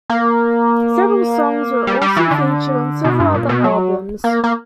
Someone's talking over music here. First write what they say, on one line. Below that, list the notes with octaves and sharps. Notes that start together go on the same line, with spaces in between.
Several songs were also featured on several other albums.
A#3
G3
G3
E3
D3
B2
G2
A#2
B2
F#3
A#3
A#3